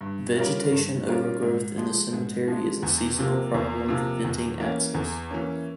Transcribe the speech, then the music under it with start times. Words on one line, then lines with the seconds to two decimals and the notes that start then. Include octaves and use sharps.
Vegetation overgrowth in the cemetery is a seasonal problem preventing access.
0.01 G2
0.36 G3 C#4 F4 A#4
0.72 G2
1.07 G3 C#4 F4 A#4
1.43 G#2
1.78 F3 G#3
2.13 G#2
2.48 F3 G#3
2.83 E2
3.19 C3 F3 A#3
3.54 E2
3.88 C3 F3 A#3
4.24 E2
4.60 E3 A#3 C#4
4.94 E2
5.31 E3 A#3 C#4